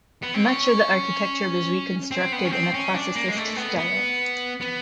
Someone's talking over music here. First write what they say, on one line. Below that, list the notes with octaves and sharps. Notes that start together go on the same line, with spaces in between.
Much of the architecture was reconstructed in a Classicist style.
B3
C4
C#4
C4
B3
C#4
C4
C#4
D4
A#3
G#3
A3
B3
B3
B3